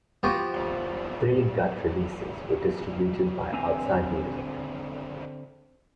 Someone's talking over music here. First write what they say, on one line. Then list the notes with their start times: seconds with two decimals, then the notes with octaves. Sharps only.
Three Gut releases were distributed by Outside Music.
0.23 F3 B3 F#4 G4
3.53 D3 C4 E5 G#5 A#5